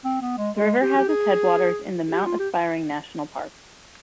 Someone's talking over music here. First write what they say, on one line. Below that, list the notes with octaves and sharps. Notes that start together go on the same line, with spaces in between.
The river has its headwaters in the Mount Aspiring National Park.
C4
B3
G#3
G#3
G4
G4
G#4
G4
F4
G4